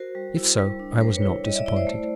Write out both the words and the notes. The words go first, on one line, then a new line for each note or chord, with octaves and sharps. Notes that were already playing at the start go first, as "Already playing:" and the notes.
If so, I was not disappointed.
Already playing: F#4 A#4 C5
G3
E4
G3
D4
G3 A#4 C5
B4 C#5
E4
G3 C#5 D#5
D5 E5
E4 D5 E5
C5 D5
A3